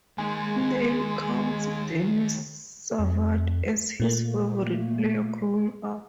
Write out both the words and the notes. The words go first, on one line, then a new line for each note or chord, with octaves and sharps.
Neil counts Denis Savard as his favourite player growing up.
D#2 G#3 D#4
F2
A#2 A3 A#3